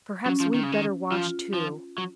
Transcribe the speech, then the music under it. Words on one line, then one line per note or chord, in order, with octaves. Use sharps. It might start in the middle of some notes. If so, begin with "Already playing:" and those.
Perhaps we'd better wash too.
F#3 C#4
F3
D#3
C#3
D#3
F3 F4
F3
F#3